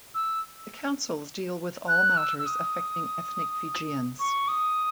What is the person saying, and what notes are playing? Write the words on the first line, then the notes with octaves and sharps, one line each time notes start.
The councils deal with all matters affecting ethnic Fijians.
E6
F#6
E6
E6
D#6
C#6
D#6